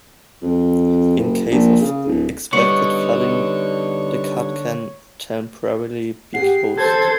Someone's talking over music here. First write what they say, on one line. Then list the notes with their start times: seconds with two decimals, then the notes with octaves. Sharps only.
In case of expected flooding the cut can temporarily be closed.
0.42 F2
1.17 F#1
1.51 A#1
1.82 C#3
2.07 D1
2.53 D3 G3 B3 D#4 C#5 C#6 C#7
6.34 G4 G#4 F#5 C7
6.78 A4 C5 G#6